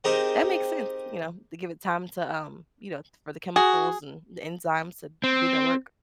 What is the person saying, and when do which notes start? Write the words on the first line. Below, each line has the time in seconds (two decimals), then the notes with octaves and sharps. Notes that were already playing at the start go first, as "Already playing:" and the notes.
that makes sense, you know, to give it time to, um, you know, for the chemicals and the enzymes to do their work.
0.04 C4 D#4 G4 G#4 A#4 C5
3.56 F#4 G#4
5.24 C4